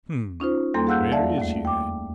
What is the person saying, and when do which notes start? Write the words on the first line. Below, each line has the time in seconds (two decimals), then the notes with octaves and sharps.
"Hm, where is he, then?"
0.40 C#4 D#4 F4 C5
0.74 E2 G3 A#3 A4 C6
0.87 G#4 F5 F#5 E6 F#6 G6
1.12 F2 D5 E5 F5 A5
1.38 D#2 A3
1.65 G5 D6